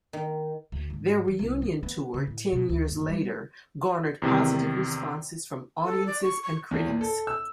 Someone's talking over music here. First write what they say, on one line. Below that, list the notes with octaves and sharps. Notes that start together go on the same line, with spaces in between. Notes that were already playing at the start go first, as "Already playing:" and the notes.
Their reunion tour ten years later garnered positive responses from audiences and critics.
D#3
D2
G#2
E2
C2
C#4
B3
C#3
A2
B2
D2
F#1
G3
E2 C3 D#3
A4
D5
C#6
C#6
E2
A#2
A4
E6